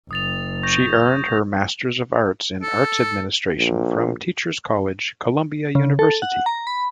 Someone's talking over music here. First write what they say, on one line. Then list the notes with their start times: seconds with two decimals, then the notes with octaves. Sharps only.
She earned her Masters of Arts in Arts Administration from Teachers College, Columbia University.
0.11 F#1 D#6 A6 F7
0.63 C#6 G6 A#6
2.62 A4
3.57 A#1
5.75 C#3
5.99 A4
6.22 F#5
6.46 A#5
6.67 B5